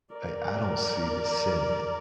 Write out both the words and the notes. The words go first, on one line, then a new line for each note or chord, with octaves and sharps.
a I don't see the sin in it.
A#4 D5